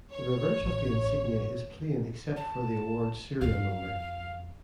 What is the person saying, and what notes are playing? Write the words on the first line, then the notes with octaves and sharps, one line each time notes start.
The reverse of the insignia is plain except for the award serial number.
C#5
A1
A5
F2 F5